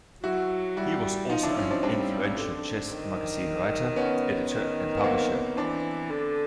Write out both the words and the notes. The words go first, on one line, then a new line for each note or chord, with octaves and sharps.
He was also an influential chess magazine writer, editor, and publisher.
F#3 E4 F#4
G3 E4 F#4
F3 D#4 F4
D4 E4
C#4 D#4
C4 D4
G3 C4 D4
D3
D#3
B3 C#4
D#3
B3
A#3 C4
E3 C4 D4
D3